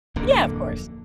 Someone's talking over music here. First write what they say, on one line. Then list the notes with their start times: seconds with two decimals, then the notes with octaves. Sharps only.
Yeah, of course.
0.16 D1 F2 D3 A#3